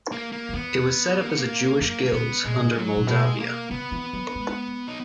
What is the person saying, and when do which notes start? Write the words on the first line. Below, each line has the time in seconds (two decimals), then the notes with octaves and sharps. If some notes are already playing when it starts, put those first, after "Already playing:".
It was set up as a Jewish Guild under Moldavia.
0.12 A#3
0.32 A#3
0.49 F#2
0.53 E2 B3
1.17 A#3
1.27 B3
1.37 A#3
1.81 F#2 A#3
2.05 A#3
2.12 A#2 B3
2.44 A#2 G#3
2.76 F#3
2.97 A#2
3.07 B2 G#3
3.40 A#3
3.71 C#3 B3
3.92 E3
4.13 F#3
4.35 G#3
4.88 D#4